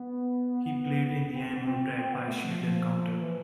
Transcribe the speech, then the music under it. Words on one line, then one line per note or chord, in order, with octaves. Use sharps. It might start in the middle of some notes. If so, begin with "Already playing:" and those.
He played in the annual Bradby Shield Encounter.
Already playing: B3
C4
C4
C4
B3
A3
F3
F3
E3